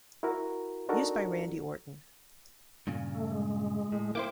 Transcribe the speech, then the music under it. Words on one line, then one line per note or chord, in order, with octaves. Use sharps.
Used by Randy Orton.
E4 F#4 A#4
D4 D#4 F#4 A4 A#4
G2 A#2 C#3
A3
G#3
A2
A#3 E4 C5 G5 D6